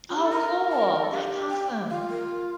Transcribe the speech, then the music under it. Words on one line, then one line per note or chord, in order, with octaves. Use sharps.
Oh, cool! That's awesome.
F4
G4
A4
A#4 A#5
A5
A4
G4 F5
G5
F4 F5
A#4